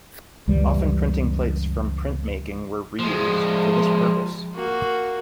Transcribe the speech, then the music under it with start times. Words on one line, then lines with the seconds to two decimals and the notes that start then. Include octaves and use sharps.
Often printing plates from printmaking were reused for this purpose.
0.48 C#2 F#2 E3 G3
2.99 F3 G#3
4.55 A#3 F#4